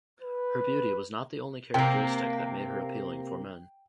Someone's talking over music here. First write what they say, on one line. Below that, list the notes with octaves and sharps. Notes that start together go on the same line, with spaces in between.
Her beauty was not the only characteristic that made her appealing for men.
B4
C3 A#3 G5